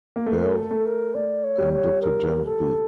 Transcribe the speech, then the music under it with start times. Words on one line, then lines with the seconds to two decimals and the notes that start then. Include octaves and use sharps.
Bell, and Doctor JamesB.
0.16 A#3
0.26 A3 A#4
0.57 A4
0.71 A3
0.86 A#4
1.15 A3 D5
1.44 C#5
1.58 G3
1.73 C#5
2.02 A#4
2.46 A4